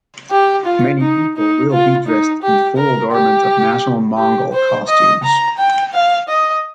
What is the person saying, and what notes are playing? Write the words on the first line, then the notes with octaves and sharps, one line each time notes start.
Many people will be dressed in full garment of national Mongol costumes.
G4
F4
D#4
D#4
F4
D#4
G4
A#4
G4
G4
C5
D#5
A#5
G5
F5
D#5